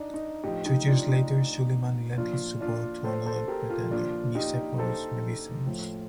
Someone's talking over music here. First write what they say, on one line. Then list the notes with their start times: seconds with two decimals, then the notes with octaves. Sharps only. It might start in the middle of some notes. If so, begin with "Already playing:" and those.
Two years later, Suleyman lent his support to another pretender, Nicephorus Melissenus.
Already playing: D4 D#4
0.14 D#4
0.44 A2 F3 D#4 G4
0.65 D#4 G4
0.87 D4 F4
1.08 D#4
2.18 A#2 F3 D4 F4
2.61 D4 F4
3.04 A4 C5
3.26 A4 C5
3.48 G4 A#4
3.70 F4 A4
3.91 A#2 F3 D4 F4
4.35 D#4 G4
4.78 A4 C5
5.66 A2 F3